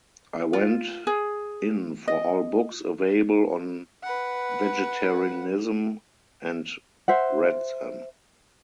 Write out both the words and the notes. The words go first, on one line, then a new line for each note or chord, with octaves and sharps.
I went in for all books available on vegetarianism and read them.
F4
G#4
D#5
B4 F#5
C5 E5 F#5